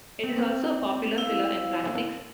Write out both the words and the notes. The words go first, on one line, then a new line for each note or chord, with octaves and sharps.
It is also a popular filler in plastics.
C4
E4 F5